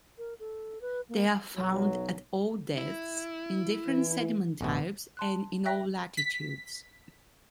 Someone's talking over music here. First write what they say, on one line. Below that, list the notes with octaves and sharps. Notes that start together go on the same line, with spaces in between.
They are found at all depths, in different sediment types, and in all latitudes.
A#4
A4
B4
A#3
B1 F#3
E4
E3
A1 F#2 B2 B3
A5 C6 F#6
E5 G5 F#6 A#6 B6
B6